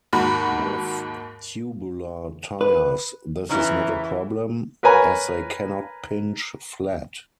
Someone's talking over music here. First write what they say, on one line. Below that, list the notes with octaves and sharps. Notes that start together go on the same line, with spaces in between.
With tubular tires, this is not a problem, as they cannot pinch flat.
D#2 G#2 F#4 B5
B4
C#3 E3 C#4 E4 A#5
A#4 B4 C#5 G#5 A#5 B5